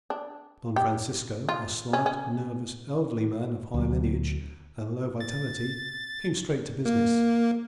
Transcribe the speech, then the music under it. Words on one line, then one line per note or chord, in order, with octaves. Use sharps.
Don Francisco, a slight, nervous, elderly man of high lineage and low vitality, came straight to business.
D4
G4
F4
C#4
C#4
D2 F#3
A6
A#3